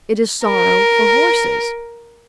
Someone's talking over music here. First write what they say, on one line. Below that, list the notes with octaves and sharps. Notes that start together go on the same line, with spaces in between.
It is sorrow for horses.
A#4